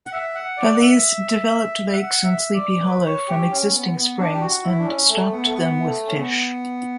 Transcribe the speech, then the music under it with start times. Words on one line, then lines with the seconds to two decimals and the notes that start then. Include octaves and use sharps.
Falese developed lakes in Sleepy Hollow from existing springs and stocked them with fish.
0.06 F#5
0.13 E5
0.35 F#5
0.57 D5
0.74 F#5
0.81 E5
1.93 F#5
2.24 E5
2.54 D5
2.83 B4
3.06 C#5
3.28 G4
3.50 C#4
3.73 B3
3.96 B3
4.19 D4
4.34 G4
4.41 F#4
4.63 E4
4.79 D4
4.86 C#4
5.09 A3
5.31 B3
5.43 A3
5.54 B3
5.84 A3
6.07 C#4
6.13 B3